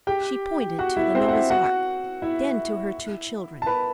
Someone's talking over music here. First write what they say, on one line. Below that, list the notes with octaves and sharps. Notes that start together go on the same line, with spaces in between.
She pointed to the Noah's ark, then to her two children.
G4 G5
F#4 F#5
E4 E5
C4 C5
F#5
E4 E5
F#4 F#5
E4 E5
A5
B4 B5